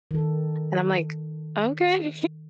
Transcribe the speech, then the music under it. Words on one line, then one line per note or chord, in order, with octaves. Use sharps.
and I'm like, "Okay.
D#3 A4